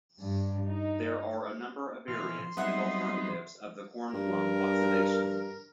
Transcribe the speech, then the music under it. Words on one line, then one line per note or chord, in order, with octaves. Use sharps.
There are a number of variants and alternatives of the Kornblum oxidation.
G2
D#4
B2 E3 C6 F6
F#3 G3 B3 C4 D#4 E5 F#5
G2 A#4